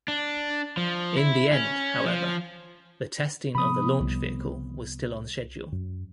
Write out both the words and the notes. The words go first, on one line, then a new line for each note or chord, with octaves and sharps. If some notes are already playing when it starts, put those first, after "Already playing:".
In the end however the testing of the launch vehicle was still on schedule.
D4
F3
E4
C#4
F3
C3 F3 B3 B5 D#6
C2
F#2